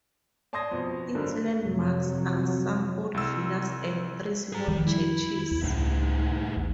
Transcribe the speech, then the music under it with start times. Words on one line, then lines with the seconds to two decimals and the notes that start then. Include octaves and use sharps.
Its landmarks are some old villas and three small churches.
0.53 D5 A5 C6 D#6 G#6 A#6
0.72 F2 B2
1.15 G#1 G2 D3 F#3 A#4
1.61 F2 C3 F#3
3.14 C2 E6
4.52 G#4 A#5
4.68 F2 D#3 F3 G3
4.87 E4
5.51 E2
5.63 C#2 A2 C#3 D#4
6.57 A#1 E2